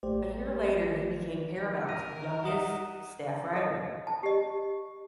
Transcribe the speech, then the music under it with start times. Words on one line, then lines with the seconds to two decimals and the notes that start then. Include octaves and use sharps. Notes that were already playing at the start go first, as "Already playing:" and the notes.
A year later he became Paramount's youngest staff writer.
0.03 A1 A3 G4 C5 D5
1.89 A#4 A#6 D#7
2.44 D#4 D#5 E5 F#5 A#5 D#6 E7
3.53 A4 D#5
4.07 A5
4.23 G4 D#5